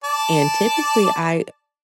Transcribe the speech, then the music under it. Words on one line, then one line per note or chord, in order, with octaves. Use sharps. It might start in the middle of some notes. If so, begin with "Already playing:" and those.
and typically I
D5 A5